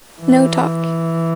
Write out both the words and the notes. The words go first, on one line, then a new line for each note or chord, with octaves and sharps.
No talk.
E3